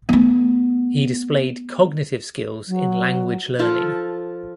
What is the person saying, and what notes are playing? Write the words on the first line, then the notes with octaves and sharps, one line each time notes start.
He displayed Cognitive skills in language learning.
A3 B3
F#3
F3 F4 A4